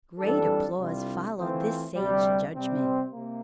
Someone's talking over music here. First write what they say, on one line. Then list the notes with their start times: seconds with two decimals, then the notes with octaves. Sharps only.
Great applause followed this sage judgment.
0.19 F2 E3 G3 D4 A4
0.78 C2 C3 G3 D4 F4
1.37 E3 A3 C4 F4 C5
1.95 D2 C3 G3
2.54 C3 G3 C4
3.12 C3 A#3